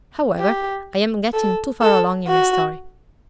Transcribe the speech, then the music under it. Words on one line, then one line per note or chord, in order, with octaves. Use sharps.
However, I am getting too far along in my story.
G4
A4
A4
F#4